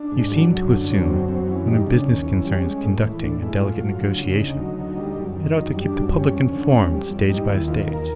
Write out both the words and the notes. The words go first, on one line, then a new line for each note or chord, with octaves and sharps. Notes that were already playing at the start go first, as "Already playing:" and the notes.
You seem to assume, when a business concern is conducting a delicate negotiation, it ought to keep the public informed stage by stage.
Already playing: D4
G#2
F#3
F#2
D3
F#2 C#4
F#3 C4
F#2 C4
E3 C#4
G3 D#4
C#3 D4
D#2 C#4
E3
G3
G#3
A2
E3
A2 D4
G#3 E4
A2 F4
F#3
D2
C#3
D2 D#4
F#3
D2
G3
F#2
D#3
F#2 D#4
G3
D4
F#2
G3 C#4
F2
D3
F2
G3
F2
G3 D#4
D#2 E4
D#3 F4
D#2 A#4